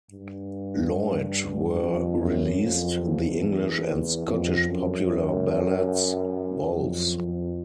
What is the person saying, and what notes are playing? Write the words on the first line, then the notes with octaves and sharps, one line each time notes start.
Lloyd were released: The English and Scottish Popular Ballads, Vols.
G2
F2
F#2
F2
E2
F2
F#2
F2
F2